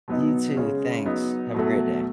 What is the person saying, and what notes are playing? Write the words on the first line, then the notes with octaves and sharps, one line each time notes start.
You too, thanks, have a great day.
B2 F#3 B3 D#4
C#3 G#3 C#4
F#3 B3 D#4
B2 F#3 A3